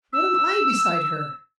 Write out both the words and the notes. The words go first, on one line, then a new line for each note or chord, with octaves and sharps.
What am I beside her?
E6